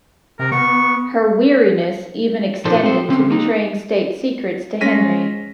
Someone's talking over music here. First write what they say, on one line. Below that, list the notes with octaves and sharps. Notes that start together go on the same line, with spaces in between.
Her weariness even extended to betraying state secrets to Henry.
C3 A#4
B3 C#6
A#2 F3 D4 D#4 A4 C5
C4 A4 C5
D3 C4 C#4
A#3 D#4
G#3 C#4 A#6 B6 D#7